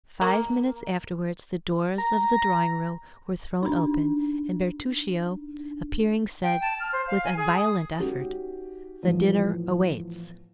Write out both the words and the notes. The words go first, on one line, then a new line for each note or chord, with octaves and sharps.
Five minutes afterwards the doors of the drawing-room were thrown open, and Bertuccio appearing said, with a violent effort, "The dinner waits."
A#3
A#5
D4 D#4
G5
A5
F6
C5
F5
G#5
G#4
D#6
C#4 D#4 F#4 G4
E2 A2 F3